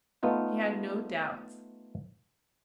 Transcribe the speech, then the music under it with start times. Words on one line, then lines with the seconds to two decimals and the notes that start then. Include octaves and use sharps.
He had no doubts.
0.23 A3 B3 D#4 F4 F#5